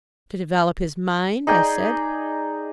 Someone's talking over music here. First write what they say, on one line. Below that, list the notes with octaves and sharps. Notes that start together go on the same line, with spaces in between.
"To develop his mind," I said.
D#4 G#4 D5 G5